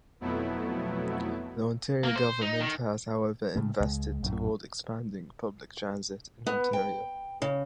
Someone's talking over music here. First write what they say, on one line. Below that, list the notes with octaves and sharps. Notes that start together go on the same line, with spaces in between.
The Ontario government has however invested toward expanding public transit in Ontario.
F2 B2 F#3 A3 B3 E4
A#3
C5
D#4
D#3
A2 C#3 A3
C#2 G#3
A#1 F#2 A2
B3
G5
C#3